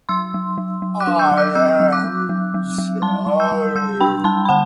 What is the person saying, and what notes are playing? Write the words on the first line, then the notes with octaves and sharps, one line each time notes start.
I am sorry.
F#3 C6 E6
F#3
F#3
F#3
D6 F#6
D4
E6 G6
F#3
D6 F#6
C4 E6 G6
F#3
D6 F#6
F#3
F#3
F#3
F#3
G3 A5 C6
G3
E6 G6
G3
G3 E6 G6
D4 G5 B5
G3 A5 C6
B5
D3 F#5 A5